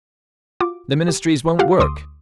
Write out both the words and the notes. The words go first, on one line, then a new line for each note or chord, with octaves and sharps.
The Ministries won't work....
F4 F#4 D6
G4
F4 G4 A4 F5 F#5
D2 C6 D6 D#6